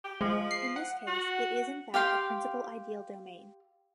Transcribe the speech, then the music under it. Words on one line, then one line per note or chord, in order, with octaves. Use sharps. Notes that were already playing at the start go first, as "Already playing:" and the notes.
In this case it is in fact a principal ideal domain.
G4
F3 G#3
C7
F#5
F#4
G4 F5 G5 C6